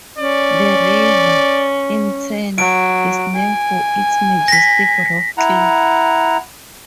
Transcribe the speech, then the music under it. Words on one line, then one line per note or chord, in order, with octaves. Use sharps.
The river, in turn, is named for its majestic rock cliffs.
C#4 D5
F#3 D7
G#5
A#6 B6
E4 F#5 A#5